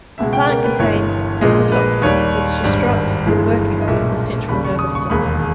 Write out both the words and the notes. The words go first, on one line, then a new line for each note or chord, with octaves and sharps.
The plant contains cicutoxin, which disrupts the workings of the central nervous system.
C#2 B2 G#3 E5
G5
A#4
B4
G1 G2 E3 C#5
A#1 A#2 G#3 D#5
B4
D#2 D#3 G3 C#5
G#1 G2 G3
G1 G2 E3 G#3
D#5
B1 A#2 G#3 E5
D#2 C#3 G3 B5
C#6
D#6
C#6
E1 D#2 D#3 G#3 B5